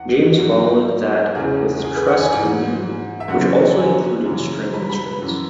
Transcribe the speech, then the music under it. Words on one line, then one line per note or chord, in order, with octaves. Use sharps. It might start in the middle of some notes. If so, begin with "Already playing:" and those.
James followed that with "Trust in Me", which also included string instruments.
Already playing: E2 E3 F#5
G#2 F#3 F#4
E2 C#3 E3 G#4
G#4
B4
F#5
G#5
G#2 E3 G#5
E5
F#2 C#3 F#3 F#5
G#5
F#2 C#3 E3
B5
B5
B4
F#2 E3